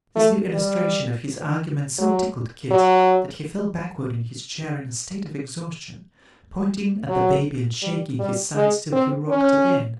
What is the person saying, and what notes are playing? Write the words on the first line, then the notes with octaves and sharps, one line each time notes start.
This new illustration of his argument so tickled Kit, that he fell backward in his chair in a state of exhaustion, pointing at the baby and shaking his sides till he rocked again.
A3
G3
F#3
F#3
F#3
G3
G3
G#3
C4
C#4